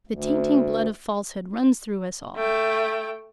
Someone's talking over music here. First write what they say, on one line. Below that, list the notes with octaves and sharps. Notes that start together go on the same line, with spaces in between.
The tainting blood of falsehood runs through us all.
D2
A3 G5